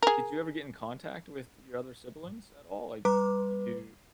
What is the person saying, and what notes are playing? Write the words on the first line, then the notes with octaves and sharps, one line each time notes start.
did you ever get in contact with your other siblings at all? Like, d do you
G#4 A#4
G3 B4 A#5 D6